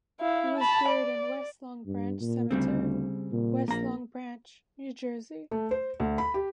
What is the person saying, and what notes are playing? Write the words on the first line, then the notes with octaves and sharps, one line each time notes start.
He was buried in West Long Branch Cemetery, West Long Branch, New Jersey.
E4 F5
A5 B5
D5
G2
A#2
D2 C#3 G3 C4
A#2
A#1 A#3 A#5
A3
C5
D2
B5
G4